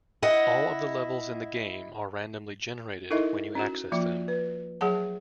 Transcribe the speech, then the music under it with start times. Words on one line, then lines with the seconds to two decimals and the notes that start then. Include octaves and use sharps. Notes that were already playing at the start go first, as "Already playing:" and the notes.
All of the levels in the game are randomly generated when you access them.
0.22 E4 D#5 F#5
3.10 D#4 E4 A4 A#4 D#5 E5
3.55 C#4 F#4
3.92 F3 A#3 F4 E5
4.28 B4
4.81 F#3 G#4 C#5 F#5 A5